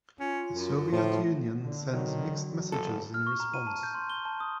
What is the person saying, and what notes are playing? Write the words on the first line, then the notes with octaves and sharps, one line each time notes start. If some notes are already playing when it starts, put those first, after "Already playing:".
The Soviet Union sends mixed messages in response.
C#4 F4
F#2
A2 F3
D3
D#3 F#3
F#1 A4
F6
C#6
A#5
D#7
A5
G6
C6
G7
A5
D#6